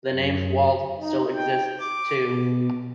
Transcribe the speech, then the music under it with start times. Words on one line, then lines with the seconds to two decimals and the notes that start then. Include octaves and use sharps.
The name "Wald" still exists, too.
0.11 F#2
0.99 D#4
1.35 G5
1.80 D6
2.22 B2